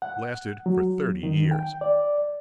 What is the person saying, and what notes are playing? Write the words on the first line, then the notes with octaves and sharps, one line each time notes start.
It lasted for thirty years.
F#5
F#3
D#3
G5
D5